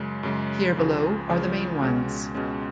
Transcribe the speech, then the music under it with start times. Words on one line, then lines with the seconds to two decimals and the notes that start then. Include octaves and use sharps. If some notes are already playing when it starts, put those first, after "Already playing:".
Here below are the main ones.
Already playing: F#2 C#3 G#3
0.23 F#2 C#3 G#3
0.77 C#2 C#3 F3
1.29 C#2 C#3 F3
1.82 C#2 B2 G#3 C#4
2.35 C#2 B2 G#3 C#4